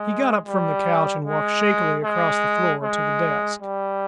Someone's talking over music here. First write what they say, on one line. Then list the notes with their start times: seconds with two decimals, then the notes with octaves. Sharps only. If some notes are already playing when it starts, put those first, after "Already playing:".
He got up from the couch and walked shakily across the floor to the desk.
Already playing: G#3
0.46 G3
1.26 G#3
2.04 G#3
2.82 G#3
3.62 G3